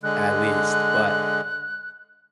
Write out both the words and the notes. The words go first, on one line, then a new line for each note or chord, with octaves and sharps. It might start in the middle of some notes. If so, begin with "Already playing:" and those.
At least, but,
D3 G#3 F#6